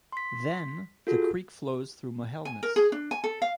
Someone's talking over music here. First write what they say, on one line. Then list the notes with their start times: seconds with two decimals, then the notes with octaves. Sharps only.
Then the creek flows through Mohelnice.
0.12 C6 B6
1.07 F4 F#4 G#4 A4
2.45 G#5
2.63 A#4
2.76 G#4
2.92 D4
3.11 G#5
3.24 A4
3.42 F5